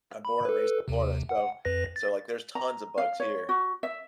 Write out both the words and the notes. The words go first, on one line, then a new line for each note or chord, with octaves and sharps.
I'm born and raised in Florida, so so, like, there's tons of bugs here,
B5
A4 B4
D#2 C3
F#5
F2 B4 A#6
A6
A#5
F5
C#5
F#4
E5